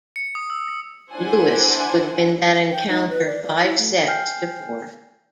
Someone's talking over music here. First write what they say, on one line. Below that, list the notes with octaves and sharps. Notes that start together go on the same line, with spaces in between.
Lewis would win that encounter five sets to four.
C#7
D#6
E6
D4 E4 C5 F#5 G#5
G5
D#4
B4
D5
D5
E4
A3
G5 G#5 F6 G6 C7